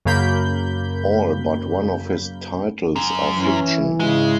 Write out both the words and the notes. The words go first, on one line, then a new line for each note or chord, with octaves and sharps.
All but one of his titles are fiction.
F#2 C#3 A#3 B5 G6
F#2
E3 C#4
G#2 C#3 G#3 E4